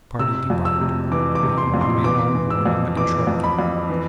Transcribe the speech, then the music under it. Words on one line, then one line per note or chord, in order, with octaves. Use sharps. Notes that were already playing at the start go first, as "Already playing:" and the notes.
The party debarked, leaving one man on board in the control cabin.
C3 E6
F2
E6
C3
E3 D6
D6
C3
C6
F2
C6
E3 D6
E3
E6
F2
E3 D6
F2
B5
F2
E3